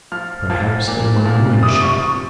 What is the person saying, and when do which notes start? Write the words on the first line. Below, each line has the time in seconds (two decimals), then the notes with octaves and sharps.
"Perhaps at my wine-shop?"
0.12 F3 F6
0.50 F3
0.88 A#2
1.25 F3
1.63 C3 D#6
1.82 C#6
2.01 C3 C#6